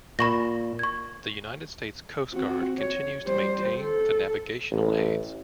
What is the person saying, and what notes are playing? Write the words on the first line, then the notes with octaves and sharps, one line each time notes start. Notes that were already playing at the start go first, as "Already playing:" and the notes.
The United States Coast Guard continues to maintain the navigational aids.
A#2 B5 C#6 A#6
C#6 G#6
C4 F#4
C#5
G3 C5
A4
A1